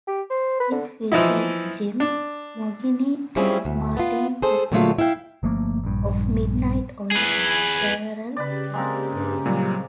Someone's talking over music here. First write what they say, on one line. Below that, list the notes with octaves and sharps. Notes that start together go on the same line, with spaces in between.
It featured Jim Moginie and Martin Rotsey of Midnight Oil on several tracks.
G4
C5
B4
D3
E3 F3 D#4 E4
D4
G3 C4 C#4 E4 F4 G#4
D2
B3 F4
G#4 A4 C5
A#2 D3 F#3 G#3 A3 F4
E4 E5 F5 G5
G1 F3 A3 A#3
A#1 G2
G#4 B4
C#3 G4 B4 D5
G#3 A#3 C4
G2
A#2 F#3 G3